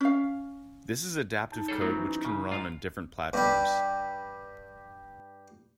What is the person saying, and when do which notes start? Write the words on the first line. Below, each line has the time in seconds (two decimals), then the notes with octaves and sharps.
This is adaptive code which can run on different platforms.
0.01 C#4 F5
1.52 D#4 A5 G6
1.68 G3 G#4 A4 C#5
1.81 F#3 A3 B3 C4 F4
1.96 E3 C#4
2.25 C#3
2.49 G#2 F4 F5
3.33 G2 G3